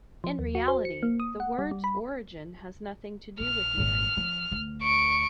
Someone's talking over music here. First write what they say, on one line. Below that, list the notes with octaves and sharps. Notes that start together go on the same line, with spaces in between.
In reality, the word's origin has nothing to do with Mary.
F3
D#2
F#4
C5
C#7
A#3
D#6
F#5
G3
G3
B5
A#1 F6
G#1 A#2
F3
D2
C#6 D7